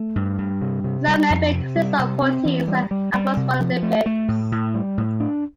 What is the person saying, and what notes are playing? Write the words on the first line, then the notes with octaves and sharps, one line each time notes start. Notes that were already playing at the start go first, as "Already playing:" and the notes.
A cell membrane consists of proteins and phospholipids.
Already playing: A3
G2
G2
C3
C3
G3
F2
C3
G3
C3
C4
E3
G3
G3
G3
C3
F3
A3
A3
A2
A2
G3
A2
D4